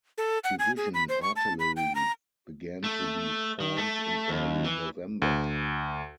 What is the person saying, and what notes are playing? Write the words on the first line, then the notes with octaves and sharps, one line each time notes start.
Division artillery began to be formed in early November.
A4
F#5
G#5
G#4
B5
C5
C#6
A5
B5
G5
A#5
A3
D#3
A3
D#2
E3
D2